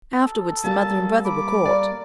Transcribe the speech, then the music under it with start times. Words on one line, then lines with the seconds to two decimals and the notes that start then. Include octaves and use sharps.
Afterwards the mother and brother were caught.
0.24 A4
0.64 G3 A#3 A5
1.25 B5 D6
1.66 A#4 D5